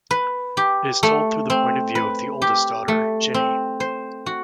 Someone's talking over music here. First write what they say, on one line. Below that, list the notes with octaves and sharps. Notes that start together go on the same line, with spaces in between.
It is told through the point of view of the oldest daughter, Ginny.
B4
G4
A3
C4
B4
G4
A3
C4
C5
F#4